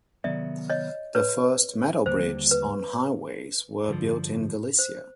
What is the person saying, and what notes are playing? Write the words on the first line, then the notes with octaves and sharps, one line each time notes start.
The first metal bridges on highways were built in Galicia.
C3 D#3 F#3 B3 D5 E5
C#5 D#5
B4 C#5
D#2 D3 G3 A#3 C5
B4
G2 D3 F3
C5